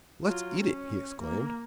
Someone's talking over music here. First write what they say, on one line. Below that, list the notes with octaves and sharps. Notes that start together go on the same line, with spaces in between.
"Let's eat it!" he exclaimed.
F#3 F4
C#4
A#3